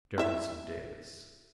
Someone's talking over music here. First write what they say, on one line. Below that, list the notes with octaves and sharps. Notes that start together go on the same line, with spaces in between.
"Jefferson Davis."
E4 E5